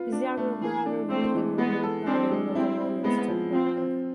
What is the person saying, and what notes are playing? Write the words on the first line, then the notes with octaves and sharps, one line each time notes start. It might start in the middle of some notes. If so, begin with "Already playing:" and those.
His younger brother William Robert Darwin was a London stockbroker.
Already playing: F4 B4
D4
A3
E3 G#4
D4
A3 C4
E3
G#3 B3
A4
C4 D4
G#3
C4 E4
C4
G#3 B3
F3
C4 F4
C4